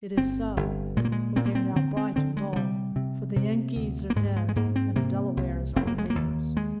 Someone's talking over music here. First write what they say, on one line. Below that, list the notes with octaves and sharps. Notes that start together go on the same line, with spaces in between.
"It is so; but they are now bright and dull; for the Yengeese are dead, and the Delawares are our neighbors."
G1 C4
G1
A#2 G#3
A#3
G#3
A#2 C4
A#3
C4
D3 C4
C4
D3 C4
G#3
F3
C3 G3
C3
C3
D2
A#3
G#2 G#3
G#3
G#3
G#2 A#3
C4
C3 A#3
C2
F1 C4
A#3
G#3
A#3
D#2
G#3